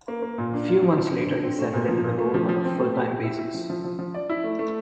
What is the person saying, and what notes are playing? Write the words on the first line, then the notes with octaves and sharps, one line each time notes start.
A few months later he settled into the role on a full-time basis.
A#3
A#3
A#2
D4
F4
F3
F3
D3
D3
C4
A3
A#2
F3
A#2
A3
F3
F3
C4
A3
G4
G4
E4
E4
F3
F3
F3
F3
D5
E4
A3
A3